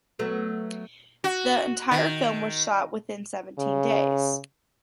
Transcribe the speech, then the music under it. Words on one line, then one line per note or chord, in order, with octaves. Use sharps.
The entire film was shot within seventeen days.
F#3 A3 B3
F#4
D#3
C#3